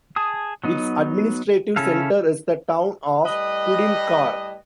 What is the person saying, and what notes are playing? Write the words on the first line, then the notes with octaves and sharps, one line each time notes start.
Its administrative center is the town of Kudymkar.
G#4 A5 D#6
F#3 B3 D#4
C#3 C#4 E4 A4 F5
A2 G3 B4 D#5